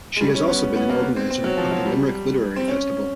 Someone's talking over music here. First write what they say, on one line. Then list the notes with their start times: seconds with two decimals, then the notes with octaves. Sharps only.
She has also been an organiser of the Limerick Literary Festival.
0.16 G#3
0.21 G3
0.34 C#4
0.48 B3
0.76 B3
0.89 A#3
1.03 B3
1.17 C4
1.31 C4
1.44 F#3
1.57 F3
1.71 F#3
1.86 G3
2.56 C4
2.68 C#4